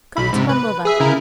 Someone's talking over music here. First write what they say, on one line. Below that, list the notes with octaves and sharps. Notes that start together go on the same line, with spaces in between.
Come to my mother.
B1 B5
G#2 C3
B4
G#4 E5
C#3 E4 A#4